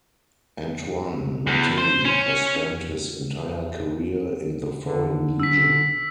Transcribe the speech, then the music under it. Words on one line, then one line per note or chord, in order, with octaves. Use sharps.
Antoine Mattei has spent his entire career in the Foreign Legion.
E2
C5
C#4
D3
E6 B6